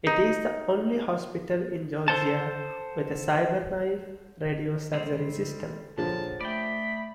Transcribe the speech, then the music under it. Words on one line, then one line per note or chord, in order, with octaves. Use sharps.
It is the only hospital in Georgia with a Cyberknife radiosurgery system.
D#4
A4 A#4 C5 F#5 A5
G3 G#3 C4 A4
A#2 D3 F3 G#4 C#5 F#5 A5
A3 D5 E5 G5 B5 D#6